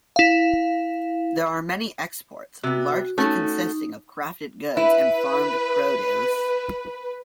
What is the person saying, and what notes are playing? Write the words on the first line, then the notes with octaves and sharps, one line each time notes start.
There are many exports, largely consisting of crafted goods and farmed produce.
E4 F5
C3 B3 F#4
A3 C#4 D#4 F#4
E4 B4